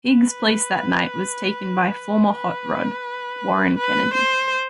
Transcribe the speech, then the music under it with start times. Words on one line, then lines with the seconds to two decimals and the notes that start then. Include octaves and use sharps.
Higgs' place that night was taken by former Hot Rod, Warren Kennedy.
0.11 B4
2.31 B4
3.77 B4
4.14 C5